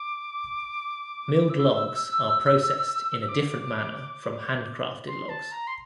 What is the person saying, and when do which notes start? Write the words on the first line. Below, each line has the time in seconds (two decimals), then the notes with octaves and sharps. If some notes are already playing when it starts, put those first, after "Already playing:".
Milled logs are processed in a different manner from handcrafted logs.
Already playing: D6
1.50 E6
3.29 D6
5.07 C6
5.29 A5
5.51 A#5
5.67 C6